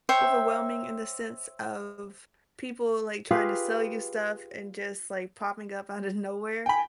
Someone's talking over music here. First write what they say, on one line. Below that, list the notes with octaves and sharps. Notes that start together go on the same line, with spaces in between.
overwhelming in the sense of people, like, trying to sell you stuff and just, like, popping up out of nowhere,
C5 C#5 E5 G5
F4 G4 G#4 B4
G5 G#5 B5